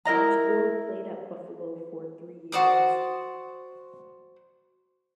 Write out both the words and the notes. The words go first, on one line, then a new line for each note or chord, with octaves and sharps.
Osborn played at Buffalo for three years.
E4 A#4 D#5 A#5
F#4 C5 D5 D#6